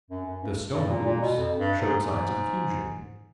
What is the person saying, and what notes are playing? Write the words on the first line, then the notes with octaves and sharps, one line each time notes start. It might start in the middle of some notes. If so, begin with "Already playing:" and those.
The stone of Luce showed signs of fusion.
F#2
F#2
G2
G2
A#2
A#2
B2
F2
G2
G#2
G#2